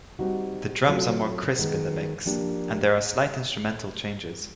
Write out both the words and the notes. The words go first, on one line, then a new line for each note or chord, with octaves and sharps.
The drums are more crisp in the mix, and there are slight instrumental changes.
G3 C4 D#4 F#4
F#3 A3 C4 F4
D#3 G#3 B3
F3 A#3 D4 G4 A#4